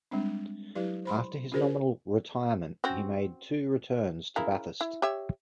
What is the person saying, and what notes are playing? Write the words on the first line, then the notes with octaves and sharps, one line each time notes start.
After his nominal 'retirement' he made two returns to Bathurst.
G3 G#3 C4 D4
F#3 E4 G4 B4 D5
C5 B5 C6
C#4 F4 F#4 G#4 A#4 C5
C4 C#4 F#4
C#3 E4 A#4
E4
G4 C#5 E5